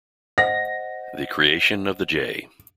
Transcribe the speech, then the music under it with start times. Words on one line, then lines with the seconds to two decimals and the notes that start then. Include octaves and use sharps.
The creation of the J.
0.38 C5 D#5 F#5 A#6